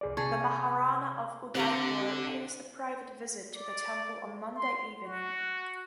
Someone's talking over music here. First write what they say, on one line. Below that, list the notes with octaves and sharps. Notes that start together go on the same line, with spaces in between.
The Maharana of Udaipur pays a private visit to the temple on Monday evening.
C2 G#4 D5
C3 G#4 A5 C#6
D3 C4 G4 F#5 A#5
D5
C6
F#4